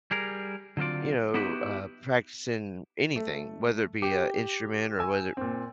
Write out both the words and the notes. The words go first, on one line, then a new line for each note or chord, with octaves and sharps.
you know, uh, practicing anything, whether it be a instrument or whether
G3 G#4 A#4
D3 F#3 C4 F4 D5
B3 D#4 E4 F#4 G4 B4
A3
G4
G#5 E6
A#2 C4